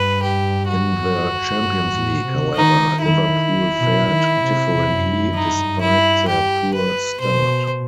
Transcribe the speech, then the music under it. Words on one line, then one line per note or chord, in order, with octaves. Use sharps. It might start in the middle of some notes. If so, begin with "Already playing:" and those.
In the Champions League, however, Liverpool fared differently, despite their poor start.
Already playing: G2 B4
G4
F#4
G2
A2
C3
D#3 D#4
D#3 E4
B2
D#3
C3
F#2
G2 D#4
E4
G4
B4
B2 C5